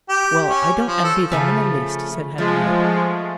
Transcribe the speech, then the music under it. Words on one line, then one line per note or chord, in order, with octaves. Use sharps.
"Well--I don't envy them in the least," said Henriette.
G4
C#4
F3
A4
C#3 F3 A3
F3 G#3 A3